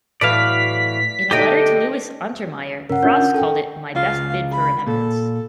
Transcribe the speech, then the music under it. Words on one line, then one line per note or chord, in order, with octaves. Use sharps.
In a letter to Louis Untermeyer, Frost called it "my best bid for remembrance".
A2 E3 F#3 D5 F5 B6
D3 A3 D#4 G4 D#5 G5
G2 C#3 C#4 A#4 F#5
C#4 D4 F4 G6
A4 G5
C#2 F4 F5
B5
A#2 A4